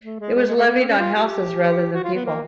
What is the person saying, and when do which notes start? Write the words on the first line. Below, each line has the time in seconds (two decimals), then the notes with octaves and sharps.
It was levied on houses rather than people.
0.04 A3
0.20 G#3
0.35 G#3
0.46 G#3
0.56 A3
0.67 B3
0.77 C4
0.88 C#4
0.99 F4
1.14 G4
1.93 F#4
2.04 F4
2.15 B3
2.25 A#3